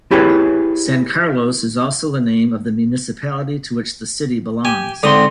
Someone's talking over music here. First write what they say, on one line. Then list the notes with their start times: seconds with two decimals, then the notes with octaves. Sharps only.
San Carlos is also the name of the municipality to which the city belongs.
0.11 E4 G4 G#4 B4 C#5
4.65 G4 G#5
5.03 G#2 D3 C4 C6 D#6